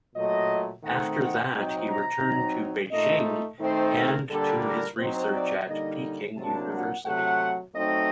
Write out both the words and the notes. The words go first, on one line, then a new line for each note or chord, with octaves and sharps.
After that, he returned to Beijing and to his research at Peking University.
A#2 F#3 A3 D#5
D#3 A3 C4 D#4 F#5
F#5
C3 F#3 C4 D#4 G5
A#5
F#3 C4 D#4
A#2 A3 D#4 D#5
D#3 A3 C4 D#4 C5
A#4
D3 G3 A#3 D4 A4
A#4
F#3 C4 D#4 C5
D5
D3 G3 A#3 D#4 D#5
C3 F#3 A#3 D4 A5
F#5
C3 F#3 A3 F#5
F#3 A3 C4 D#4 D#5